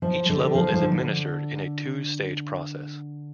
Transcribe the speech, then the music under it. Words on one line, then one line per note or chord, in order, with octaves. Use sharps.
Each level is administered in a two-stage process.
F3
D3
F3
F3
D3